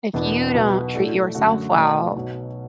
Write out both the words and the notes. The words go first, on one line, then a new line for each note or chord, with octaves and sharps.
if you don't treat yourself well,
E1 E2 B2 B3 D4
B1 B2 B3 F#4
A2 A3 F#4 A4 D5
F#2 D3 A3 F#4
B2 A3 F#4 D5
B1 B2 F#3